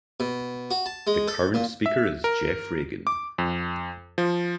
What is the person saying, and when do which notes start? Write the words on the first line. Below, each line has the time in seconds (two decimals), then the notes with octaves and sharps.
The current Speaker is Geoff Regan.
0.20 B2
0.71 F#4
0.86 A5
1.07 G#3
1.28 A4
1.54 A#2
1.86 E5
2.24 A#4
3.07 D6
3.38 F2
4.18 F3